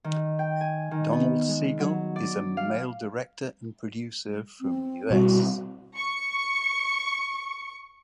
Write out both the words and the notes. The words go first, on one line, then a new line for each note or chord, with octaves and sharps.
Donald Siegel is a male director and producer from US.
D#3
G5
G#5
D#3
B3
G#3
F#3
D5
F5
C4
B2 G3 C4 F#4
C#6 C#7